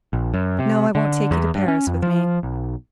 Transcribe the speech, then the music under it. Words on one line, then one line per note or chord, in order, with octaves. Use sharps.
No, I won't take you to Paris with me.
A#1
F#2
C3
D3
E2
G2
C#4
F2
F3
B1